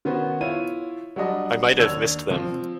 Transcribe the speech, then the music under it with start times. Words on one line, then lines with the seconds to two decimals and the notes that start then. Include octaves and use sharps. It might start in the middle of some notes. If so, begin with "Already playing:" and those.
I might have missed them.
0.05 D#3 B3 C#4 F#4 B4 C5
0.41 E4 F4 C#5 D#7
1.16 F#3 G3 D4 D#5
1.79 D#2 D4 E6 G#6 F7
2.30 F3 C4